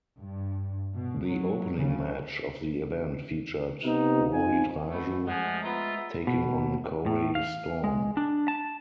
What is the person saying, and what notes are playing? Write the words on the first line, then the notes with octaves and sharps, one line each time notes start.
The opening match of the event featured Rohit Raju taking on Corey Storm.
G2
B2
F#3
C#3
C3 B3 D#4
C4 D#4 F4 D#5 G#5
A3 B3
F3 G#3 A3 G#4 F#5
B3 F4 E5 A#5
B2
A2
F5
G#3
D4
A5